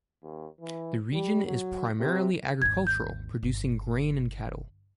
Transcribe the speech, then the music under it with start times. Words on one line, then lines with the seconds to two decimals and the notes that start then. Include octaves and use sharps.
The region is primarily agricultural, producing grain and cattle.
0.23 D#2
0.60 E3
1.12 G3
1.46 F#3
1.99 C3
2.62 G#1 D#2 G#6
2.87 G6
3.43 G1